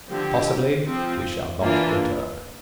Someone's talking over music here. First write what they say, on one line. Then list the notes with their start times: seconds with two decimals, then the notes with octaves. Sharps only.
Possibly we shall not return.
0.08 D3 F3 C4 G4
0.87 F3 C4
1.63 E3 A#3 D4 F4